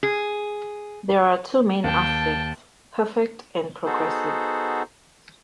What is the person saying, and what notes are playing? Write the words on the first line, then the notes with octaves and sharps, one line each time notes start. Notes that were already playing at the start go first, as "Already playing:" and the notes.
There are two main aspects: perfect and progressive.
G#4
D#2 G5 A5
B3 D#4 F#4 G#4 A4 C5